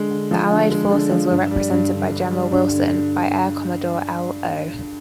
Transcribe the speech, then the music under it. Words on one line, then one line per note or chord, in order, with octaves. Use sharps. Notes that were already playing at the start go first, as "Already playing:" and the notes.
The Allied forces were represented by General Wilson, by Air Commodore L. O.
Already playing: D3 G#3
D3
F3
D3
G#3
D3
F3
G2
G3
G2
D3
G2
G3
G2
D3